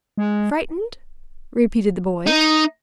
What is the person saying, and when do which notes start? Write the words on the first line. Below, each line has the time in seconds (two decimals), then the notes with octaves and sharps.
'Frightened?' repeated the boy.
0.18 G#3
2.26 D#4